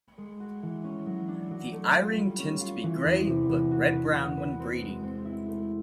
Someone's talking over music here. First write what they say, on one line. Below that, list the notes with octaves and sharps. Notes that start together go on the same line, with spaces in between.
The eye ring tends to be grey but red-brown when breeding.
G#3
F#4
E3
C#4
F#3
D4
F#3
A3
F4
G3
C#4
F4
E3
E2
C3
E2
F#4
B4
F#4
B4
C4
G#3
C4
E4
A3